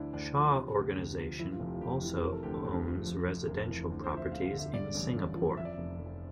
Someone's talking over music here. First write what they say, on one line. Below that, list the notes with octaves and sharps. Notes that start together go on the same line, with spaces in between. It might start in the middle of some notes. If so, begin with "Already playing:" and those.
Shaw Organisation also owns residential properties in Singapore.
Already playing: D2 D3 D4 E4
D2 D4
F3
C3
D2
D2
F3
F2 E4
F4
F1
G4
F4
F1 G4
E3
C3 A#4
A4
D2 G4
A4
D2
F3
F2
F1
F1 A#4
E3
D2
C5
F3
E5
E1 F5
F5
D3
E5
G2 D5
A1
A1
F3
F2 E5
D5
E5
F1
F1